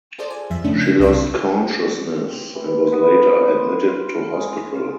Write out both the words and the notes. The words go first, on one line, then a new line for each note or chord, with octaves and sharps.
She lost consciousness and was later admitted to hospital.
F4 G#4 A4 C5 D5
G#5
F2 F3 E5
F2 C#3 A3 C#4 D4 E4
A#6 E7
C2 D3 C4 E5 B5 E6
C4
E3
B3
C6
F4
G#3
F4